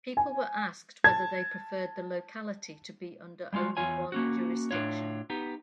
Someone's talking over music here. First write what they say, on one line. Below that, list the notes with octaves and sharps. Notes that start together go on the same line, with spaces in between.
People were asked whether they preferred the locality to be under only one jurisdiction.
G#5
A5 G#6
G3 G#3 C#4 F4 F#4
E2 F4 C#5 G#5
A#3 C#4 F#4
A2 D4 F4 C#5
B3 D#4 G4